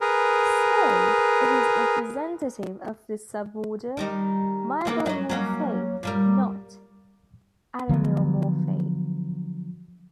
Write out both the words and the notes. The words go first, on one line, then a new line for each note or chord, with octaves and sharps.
So it is a representative of the suborder Mygalomorphae, "not" Araneomorphae.
G#4 A#4 B4
D#3 G3 D#4
E3 A#3 B3
F#3 D#5
F#3 A#3 C#4
A#2 G3 A#4
D3 F3 F#3 B3